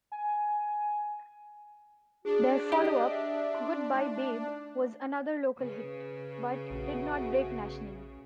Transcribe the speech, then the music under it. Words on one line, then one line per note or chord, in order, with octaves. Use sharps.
Their followup, "Goodbye Babe", was another local hit, but did not break nationally.
G#5
D4 F#4 G#4
G4 D#5
E5
C6
A3 D#4
C#3 B4
A#1 A3 B3 F#4